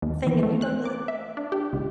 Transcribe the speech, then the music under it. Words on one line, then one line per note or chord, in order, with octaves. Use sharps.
thing. Have you done that?
D#2
E3
A3
F#6
D6
E5
D4
G4
C#2